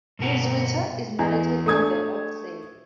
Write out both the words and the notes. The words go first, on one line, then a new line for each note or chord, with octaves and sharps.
His return is narrated in the "Odyssey".
G2 B2 A#4 F#5 A#5
E2
A3 D4 D#6 G#6